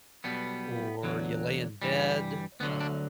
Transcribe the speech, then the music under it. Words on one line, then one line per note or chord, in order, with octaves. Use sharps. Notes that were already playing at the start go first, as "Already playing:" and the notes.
or you lay in bed, uh,
B1 B2 G3 B3
E2 D3 F#3
G2 E3 G3
D2 D3 F#3 B3
D4